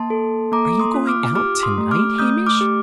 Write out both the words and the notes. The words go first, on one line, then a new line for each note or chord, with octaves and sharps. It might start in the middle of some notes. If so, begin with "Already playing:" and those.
"Are you going out to-night, Hamish?"
Already playing: A#3 A5 C6
A4
A#3 A#5 D6
C6 D#6
F4
D6 F6
G4 D6 F6
C6 D#6
A3
D6 F6
A3 D#6 G6
D6 F6
G4